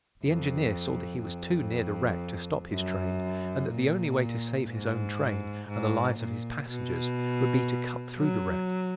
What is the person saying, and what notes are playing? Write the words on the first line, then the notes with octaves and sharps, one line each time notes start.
The engineer saw that he was too near the wreck to stop his train and that the only way to save his own train and the lives of his passengers would be to cut through the wreck.
F2
F2
F#2
A#2
G#2
G#2
A#2
B2
F#3